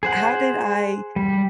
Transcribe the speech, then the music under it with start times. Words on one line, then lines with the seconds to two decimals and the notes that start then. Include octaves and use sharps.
how did I
0.03 G#4 C5 F#5
1.16 G3